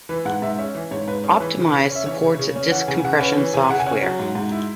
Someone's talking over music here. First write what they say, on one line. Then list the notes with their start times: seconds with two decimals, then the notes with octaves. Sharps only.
Optimize supports disk compression software.
0.09 E3 B4
0.25 G#2 F#5
0.42 G#2 E5
0.59 C#4 E5
0.75 E3
0.91 G#2 C#5
1.08 G#2 B4
1.24 C#4 G#4
1.40 E3 B4
1.57 C#3
1.73 C#3
1.90 C#4
1.95 E5
2.06 E3 C#5
2.22 C#3
2.39 C#3
2.56 C#4
2.72 E3 F#5
2.88 C#3 G#5
3.04 C#3 F#5
3.20 C#4 B4
3.37 E3
3.53 C#3 G#5
3.70 C#3 F#5
3.80 G#5
3.86 C#4 F#5
4.03 F#3
4.19 G#2
4.35 G#2
4.52 E4